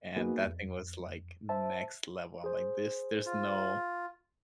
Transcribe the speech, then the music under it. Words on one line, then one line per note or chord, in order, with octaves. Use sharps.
and that thing was, like, next level. I'm like, "This there's no
A#3 B3 D#4 F#4 G#4 B4
F2
C5 E5 A5
G#4 C5
F4